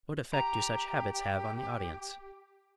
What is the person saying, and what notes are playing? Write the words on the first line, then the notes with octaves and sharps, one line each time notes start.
What effect do such habits have on the audience?
G4 A#5